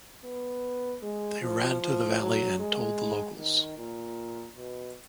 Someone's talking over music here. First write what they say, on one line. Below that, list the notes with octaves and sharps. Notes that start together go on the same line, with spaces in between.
They ran to the valley and told the locals.
B3
G#3
F3
F3
F#3
G#3
D#3
A#2
B2